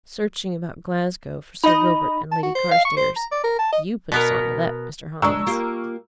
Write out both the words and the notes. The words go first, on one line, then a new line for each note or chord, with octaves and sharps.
"Searching about Glasgow for Sir Gilbert and Lady Carstairs--you put us on to that, Mr. Hollins."
D#4 D#5 B5
A5
F#4
C5
F5
C#6
C5
A#5
D5
A#4
A5
D#5
B2 B3 A#4
G#3 D4 A#5 C#6 E6
A#3 F4 G4